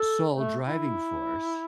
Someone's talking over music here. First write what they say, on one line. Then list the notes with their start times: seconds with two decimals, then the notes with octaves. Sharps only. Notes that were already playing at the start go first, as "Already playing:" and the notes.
sole driving force
Already playing: A4
0.35 A3
0.66 E4